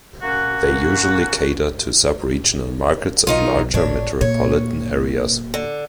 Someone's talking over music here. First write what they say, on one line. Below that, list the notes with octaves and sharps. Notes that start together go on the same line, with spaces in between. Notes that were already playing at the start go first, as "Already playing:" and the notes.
They usually cater to sub-regional markets of larger metropolitan areas.
A#3 C#4 F#4
B1 D#3 D#4 F4
G#1 A2 D4 C#5
A#2 C#5
D3